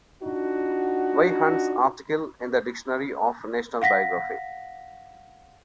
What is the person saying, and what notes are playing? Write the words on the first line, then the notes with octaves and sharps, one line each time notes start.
W. Hunt's article in the "Dictionary of National Biography".
D4 D#4 F4 F#4
F5 F#5 A#6 B6